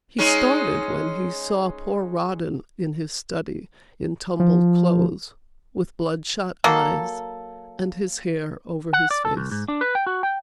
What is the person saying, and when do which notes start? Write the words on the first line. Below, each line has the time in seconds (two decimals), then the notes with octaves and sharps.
He started when he saw poor Rawdon in his study in tumbled clothes, with blood-shot eyes, and his hair over his face.
0.18 G#3 C#4 D#4
4.40 F3
6.64 F#3 A#3 A4
8.93 F#5
9.11 D5
9.25 A4
9.37 C2
9.51 G#2
9.68 D4
9.81 B4
9.95 G5
10.07 F#4
10.23 G5